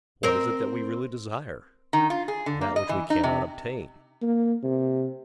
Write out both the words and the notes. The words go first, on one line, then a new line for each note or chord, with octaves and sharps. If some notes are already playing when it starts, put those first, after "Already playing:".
What is it that we really desire?--that which we cannot obtain.
C4 A#4
D#3
F4
G#4
D3
A#3
D#5
E3
D#4
C3
A#3
C3